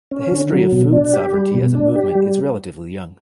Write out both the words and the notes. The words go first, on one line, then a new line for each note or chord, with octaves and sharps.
The history of food sovereignty as a movement is relatively young.
C#4
D3
F#3
B2
D4
G4
G3
B2
D4
G4
G3